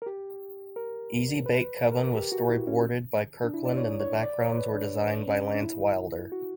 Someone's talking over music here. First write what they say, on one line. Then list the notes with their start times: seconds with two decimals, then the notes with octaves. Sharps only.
"Easy-Bake Coven" was storyboarded by Kirkland and the backgrounds were designed by Lance Wilder.
0.02 A#4
0.06 G4
0.76 A#4
1.46 B4
1.92 A#4
2.15 G4
2.32 F#4
2.49 E4
2.67 C#4
3.44 D4
3.54 E4
3.65 D5
3.77 C#5
4.00 C#5
4.23 D5
4.40 C#5
4.58 B4
4.75 D4
5.27 C#4
5.55 D4
5.63 E4
6.32 F#4